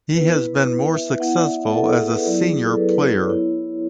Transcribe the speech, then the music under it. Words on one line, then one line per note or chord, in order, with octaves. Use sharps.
He has been more successful as a senior player.
B3 E4 B4
E5
B3 E4 F#5
D5
E5
A4
G#4
B4
F#3 B3 E4 D5
G#4
G#4
A4
B4
B4
B4
C#5
B3 E4